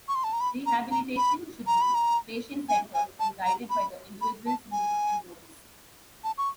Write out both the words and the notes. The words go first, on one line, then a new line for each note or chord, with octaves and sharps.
Rehabilitation should be patient-centered and guided by the individual's needs and goals.
C#6
C6
A5
A#5
B5
A#5
A#5
B5
A#5
B5
A#5
G#5
G#5
A5
A#5
B5
B5
A5
G#5
A5
C#6